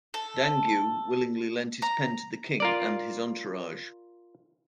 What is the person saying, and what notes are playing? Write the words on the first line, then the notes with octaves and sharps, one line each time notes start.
Dangeau willingly lent his pen to the king and his entourage.
A4
A#5
F4 A#4 D5